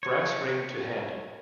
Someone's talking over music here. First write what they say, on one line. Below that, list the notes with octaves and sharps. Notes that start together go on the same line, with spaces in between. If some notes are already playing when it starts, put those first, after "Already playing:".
Brass ring to handle.
C#5